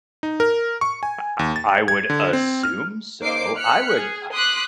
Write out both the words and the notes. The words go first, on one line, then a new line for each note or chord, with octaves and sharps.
I I I would assume so. I would, uh
D#4
A#4
C#6
G#5
D#2
A6
G#6
D3
C4
F6
A#3 D#4 C5 D6 C7 D7
F6 F#6 B6 C#7
G#4
C6 D6 D#6 F#6 B6